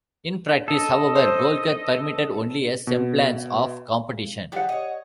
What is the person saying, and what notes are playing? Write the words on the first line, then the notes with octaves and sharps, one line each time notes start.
In practice, however, Golkar permitted only a semblance of competition.
A4 D#5
C5
B2
D3 G4 G#4 D5 F#5
C#5 D#5